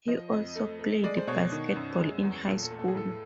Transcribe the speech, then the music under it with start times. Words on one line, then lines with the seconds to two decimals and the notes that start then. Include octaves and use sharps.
He also played basketball in high school.
0.08 F3 D#5
0.32 F2 D#5
0.56 A3
0.80 A3
1.04 G#3 D5
1.17 C5
1.27 B2 C#5
1.52 D#3
1.76 F#2
2.00 G#3
2.23 E2
2.47 A#2 A4
2.63 A4
2.71 A3
2.79 A4
2.88 G#4
2.95 A2 A4